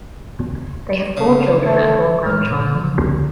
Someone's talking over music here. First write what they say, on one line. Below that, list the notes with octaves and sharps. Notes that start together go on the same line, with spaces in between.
They have four children and one grandchild.
C#3
A3
A2 G#3 C#5 F6
G2 A#2 D3
C#3 F3
D3